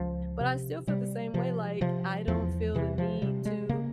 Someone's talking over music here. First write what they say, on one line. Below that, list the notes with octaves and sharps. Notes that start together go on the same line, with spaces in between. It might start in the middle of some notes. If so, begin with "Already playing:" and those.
But I still feel the same way, like, I don't feel the need to
Already playing: C#2 F3
C3
C3 G3
C3 F3
C3 F3
E2 F3
C3 E3
F3
C3 G3
G#3
C#3 A#3